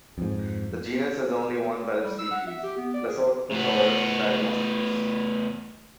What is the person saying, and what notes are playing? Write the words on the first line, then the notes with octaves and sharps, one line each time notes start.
The genus has only one valid species, Lesothosaurus diagnosticus.
F2 G#2
G3
E6
F#5
E5
G4
B3
D5
G#4
A2 B3